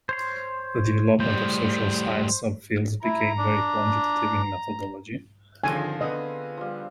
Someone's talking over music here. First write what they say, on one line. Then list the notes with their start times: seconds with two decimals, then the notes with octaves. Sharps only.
The development of social science subfields became very quantitative in methodology.
0.09 C5 C#5 C6
1.20 A2 G3 C5
3.03 E4 A#5
3.38 D4
5.64 D3 D#3 F3 C4 F4 G#4 G#5
6.01 D3 B3 D#5
6.57 F3 G3